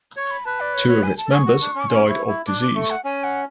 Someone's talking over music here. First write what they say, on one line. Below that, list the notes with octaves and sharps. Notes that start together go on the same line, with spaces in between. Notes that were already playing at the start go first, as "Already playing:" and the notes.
Two of its members died of disease.
C#5 C#6
B5
B4 A5
D5
C#5
C#5
G#5
A5
A4
G#4 C#6
F#4
D4
C#4
C#4
E4
E4
D4 D6
D6
A3 C#6
F#5
C#4 G#5
F#5